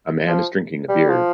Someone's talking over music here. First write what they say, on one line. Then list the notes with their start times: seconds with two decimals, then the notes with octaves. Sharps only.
A man is drinking a beer.
0.27 F3
0.89 G3
1.09 F3